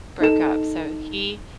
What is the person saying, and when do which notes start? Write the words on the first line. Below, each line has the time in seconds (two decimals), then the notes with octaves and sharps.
broke up, so, he
0.20 D#4 A4 E7